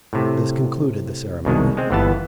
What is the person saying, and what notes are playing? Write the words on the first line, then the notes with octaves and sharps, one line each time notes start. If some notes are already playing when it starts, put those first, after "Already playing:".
This concluded the ceremony.
A2 C3
C2 B2 D#3 G#3
G#3 C4
G1 E3 B3 A5